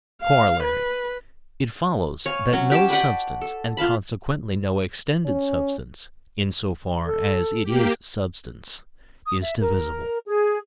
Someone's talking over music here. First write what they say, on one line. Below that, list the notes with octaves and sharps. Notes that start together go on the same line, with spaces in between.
Corollary.--It follows, that no substance, and consequently no extended substance, in so far as it is substance, is divisible.
F5
B4
C#5 F5 G#5
F#3 C#4 F#4
G4 C#5 A5
B4 D5 F#5 G5
A4
F4 F5 A5 B5
C#4
A4
A#3 G4
D#6
E5
A#4
G#4